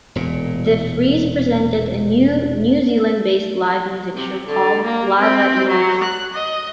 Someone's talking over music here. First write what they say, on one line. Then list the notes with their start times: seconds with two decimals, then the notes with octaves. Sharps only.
Defries presented a new New Zealand-based live music show called "Live at Yours".
0.15 E1 A#2
4.15 C3
4.47 D3
4.86 A#3
5.20 C4
5.69 F#3
6.03 F#6
6.34 D#5